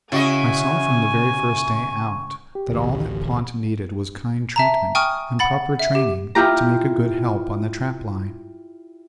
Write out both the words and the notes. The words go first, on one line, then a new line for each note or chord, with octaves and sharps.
I saw from the very first day out that all that Pont needed was kind treatment and proper training to make a good help on the trap line.
C#3 E4 F#4 D#5 G#5 C#6
G4
A1 D2
E5 A5 A#5
G5 G#5 C#6 D#6 F6
F#5 B5 A6
E5
G4
E4 F4 G4 A#5